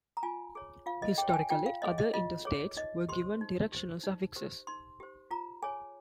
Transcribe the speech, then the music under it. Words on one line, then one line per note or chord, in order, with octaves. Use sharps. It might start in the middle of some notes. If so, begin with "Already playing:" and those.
Historically, other interstates were given directional suffixes.
A#5
F4 G#5
G#4 C#5
F4 F5
D#5
G#4 C#5 G5
G5
G#5
F4 G5
F5
G#4 C#5 D#5
D#5
F4 D#5
G#4 C#5
D#4 D#5
G4 C5 C6
D#4
G4 C5
D#4
G4 C5
D#4 C6
G4 C5
F4 A#5
G#4 C#5 G#5